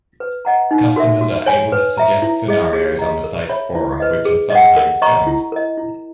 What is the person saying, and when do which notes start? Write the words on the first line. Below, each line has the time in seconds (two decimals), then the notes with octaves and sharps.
Customers are able to suggest scenarios on the site's forum which are sometimes filmed.
0.20 B4
0.45 D#5 F#5 A#5
0.71 D#4
0.96 F#4 A#4 E5
1.21 F#4
1.46 C#5 G#5
1.72 B4
1.97 E5 A#5
2.22 E4
2.48 G#4 D#5
2.73 G#4
2.99 D#5 A#5
3.24 A#4
3.49 C#5 E5 B5
3.75 E4
4.00 B4 D#5
4.25 G#4
4.50 D#5 F#5
4.77 A#4
5.02 D#5 A#5 C#6
5.27 E4
5.52 A#4 D#5
5.78 E4